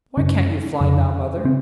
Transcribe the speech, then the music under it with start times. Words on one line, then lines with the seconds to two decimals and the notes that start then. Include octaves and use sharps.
"Why can't you fly now, mother?"
0.17 F#2 C#3 C#4
0.80 F2 C#3
1.45 C#3 C4